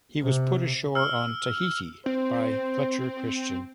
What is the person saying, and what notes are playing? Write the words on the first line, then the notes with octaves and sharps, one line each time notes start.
He was put ashore on Tahiti by Fletcher Christian.
C3
E6 F6
C4 C5